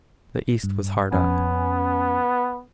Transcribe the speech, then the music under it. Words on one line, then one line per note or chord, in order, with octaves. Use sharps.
The East was hard up.
G2
F2 B3 C#4 G#5